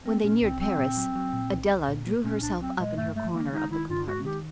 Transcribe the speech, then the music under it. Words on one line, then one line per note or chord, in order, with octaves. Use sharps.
When they neared Paris, Adela drew herself up in her corner of the compartment.
A#3 C4
A#2 C#4
C2 C4
F#3 C4
A#2
F#3
F#3
A#2
C2
C2
A#2
A#3
A#2 C#4
C2 D4
F#3 C4
A#2 G#3
G2 A3
G#3 A3
D#3 A#3
G#3 D#4
D#3 E4
G2 F4
G#3 F#4
D#3 G4